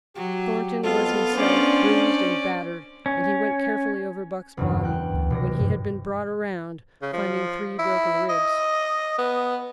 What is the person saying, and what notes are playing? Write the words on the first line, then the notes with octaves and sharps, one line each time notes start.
Thornton was himself bruised and battered, and he went carefully over Buck's body, when he had been brought around, finding three broken ribs.
F#3 G4
F2 B3 F4 A4
C#4 D4 C5 D5
C#4
F#1 E2 G2
G5 F#6
D2
F1 B2 G4 A#6
G2
C#3
F3
E4
D#5
B3